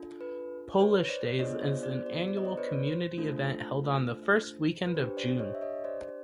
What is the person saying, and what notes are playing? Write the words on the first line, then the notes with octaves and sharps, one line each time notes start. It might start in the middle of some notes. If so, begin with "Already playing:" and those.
"Polish Days" is an annual community event held on the first weekend of June.
Already playing: D4 F4 A4
B4
B4 C#5
C5 D5
B3 D4 F4 G#4 C#5 D#5
C5 D5
C5 D5
C5 D5
D5
D#5
C5 D5
B4 C#5
C5
A3 D4 F4 A4
B4
D4 G4 C5
C5 D5
C#5 D#5
E5
C#5 D#5
C5 D5